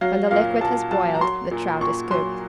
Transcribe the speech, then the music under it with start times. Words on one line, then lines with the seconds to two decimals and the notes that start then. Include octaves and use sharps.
When the liquid has boiled the trout is cooked.
0.01 F#3 F5
0.31 A#2 F5
0.61 A#2 A5
0.91 F#3 A5
1.14 A#5
1.21 F#3 C6
1.51 A#2
1.81 A#2 C#6
2.11 F#3 C6